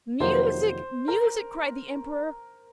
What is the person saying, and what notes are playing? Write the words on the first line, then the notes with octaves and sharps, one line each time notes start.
"Music! music!" cried the Emperor.
F2 C3 D#3 F#3 A#3 C5
A#4